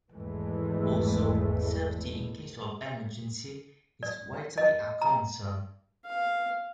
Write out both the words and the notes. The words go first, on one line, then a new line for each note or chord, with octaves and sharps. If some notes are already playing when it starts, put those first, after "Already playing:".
Also, safety in case of emergency is widely a concern.
G#1 E2 E3 G#3 A3
D5
D#5
A#5
F5